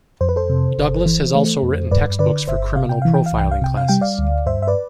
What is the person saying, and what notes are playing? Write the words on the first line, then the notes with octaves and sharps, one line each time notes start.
Douglas has also written textbooks for criminal profiling classes.
F2 C5
B4
A4 C5
C3
G1
E3
A3
F2
G2 B4 D5
D3 B4 D5
G1 C5 E5
C3 F5
G5
E3 F5
G5
F5
C2
G5
F5
C3 G5
F5
G3 G5
D5 F5
D2
G2 C5 E5
E5
B4 D5